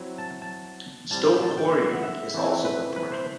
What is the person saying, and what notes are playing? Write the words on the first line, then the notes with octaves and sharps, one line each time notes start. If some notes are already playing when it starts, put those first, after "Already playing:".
Stone quarrying is also important.
Already playing: F#3 C4 E4
A5
A5
A2 G3 C4 A5
G5
A5
G5
E5
E5
F#5
E5
E3 A3 C4 E4
B4
B4
C5